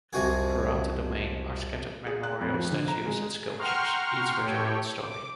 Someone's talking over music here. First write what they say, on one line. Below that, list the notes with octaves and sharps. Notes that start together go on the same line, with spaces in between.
Around the Domain are scattered memorial statues and sculptures, each with their own story.
C2 F2 C3 F#4 G#4
G#4
F#6
F2
F3
D3
A#5
G#3
G#4
F#5 G5 A#5 C6 C#6 F6
A2 G4 A4 C#5 G5
D6